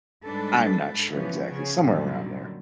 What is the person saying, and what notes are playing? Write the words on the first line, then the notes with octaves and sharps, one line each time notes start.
I'm not sure exactly, somewhere around there,
G#2 G3 D4 A4 B4
E3 F3 B3 C#4
C#3 C#4 G#4
F#2 A#2 D3 D#3 F#3 G3